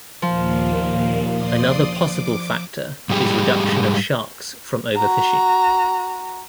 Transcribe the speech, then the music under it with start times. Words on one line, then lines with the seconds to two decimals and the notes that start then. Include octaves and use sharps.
Another possible factor is reduction of sharks from overfishing.
0.22 D#2 A#2 F3 A#3
1.27 D5 C6 D#6
1.85 D6
3.10 G#2 G3 G4 G#4
4.96 F#4 A#5